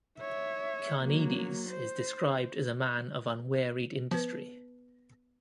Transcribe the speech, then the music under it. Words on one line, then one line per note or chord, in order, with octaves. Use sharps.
Carneades is described as a man of unwearied industry.
C#5 E5
F#3 A#3
C5
F3 B3 B4